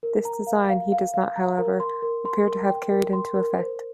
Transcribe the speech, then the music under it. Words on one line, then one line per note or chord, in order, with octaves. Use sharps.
This design he does not, however, appear to have carried into effect.
A#4
A#5
F5
F5
F5
F5
A#5
A#4
C6
A#4
C6
A#4
G5
A#4
C6
A#4
C5